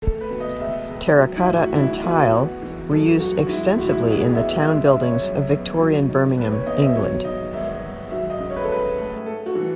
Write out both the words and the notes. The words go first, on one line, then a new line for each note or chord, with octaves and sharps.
Terracotta and tile were used extensively in the town buildings of Victorian Birmingham, England.
A3 A4
B4
B2
D#5
C#2 E5
C#2
F#3
E4
A2
F#4
A1 E4
B3 F#4
B3
E3
F#2 A4
F#2 F#4
F#4
G#3 E4
A2 F#4
E4
A1 G#4
G#4
B3 E5
E5
G#3 E5
E5
C#3
C#5
F#2
B3
F#3
D#3
D#2 B4
C#5
B3 D#5
E5
F#3 C#5
G#2 D#5
G#1 E5
G#1
F#3 E5
D#5
C#3
C#5
B4
A4
C#2 B4
A3
A3 A4
F#4
E3